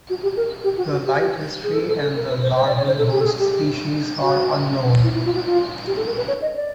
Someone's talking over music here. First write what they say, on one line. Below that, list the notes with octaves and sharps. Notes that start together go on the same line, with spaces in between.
The life history and the larval host species are unknown.
F#4
G4
A#4
G4
F#4
F#4
G4
G4
G#4
A4
A4
A4
A#4
B4
C5
C5
D5
C#5
C5
A4
G4
A4
G#4
G4
F#4
E4
E4
F4
F#4
F4
G4
A4
A#4
B4
C#5
D#5
D5